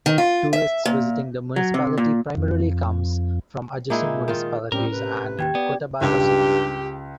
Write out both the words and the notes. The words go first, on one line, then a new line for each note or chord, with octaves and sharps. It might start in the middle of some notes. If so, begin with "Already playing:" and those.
Tourists visiting the municipality primarily comes from adjacent municipalities and Cotabato City.
D#3
F4
E5
A#2
F#3
C3
A#2
F2
A#2 G#3 D#4 E4
D#3 F4
A2 G3 C4 C#4 G4 A#4
C3 B4
D#2 G4 G5 G#6
B3 D5
C#2 G2 G4